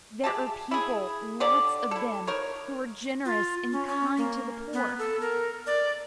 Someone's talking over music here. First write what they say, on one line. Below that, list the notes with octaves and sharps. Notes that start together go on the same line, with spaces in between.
There are people, lots of them, who are generous and kind to the poor.
G#3 G4 E5 A5
E4 G#4
D3 G4 D5
E4 A4
D#4 A#4 C#5
F4
C#4
C#4
A#3
B3
A4
A#4
D5